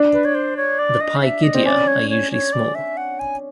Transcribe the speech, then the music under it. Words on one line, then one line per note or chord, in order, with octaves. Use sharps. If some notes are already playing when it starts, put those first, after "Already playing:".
The pygidia are usually small.
Already playing: D4
B4
C#5
C5
C#5
D5
D#5
F5
E5
D#5
C4
C#4 D5
C#5
C#5
C#5
D5
E5
F#5
G#5